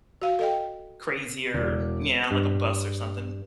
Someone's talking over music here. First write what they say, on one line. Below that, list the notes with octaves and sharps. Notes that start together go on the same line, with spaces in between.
crazier, yeah, like a bus or something.
F#4 F5
A4 D#5 G5
E1 D5
G2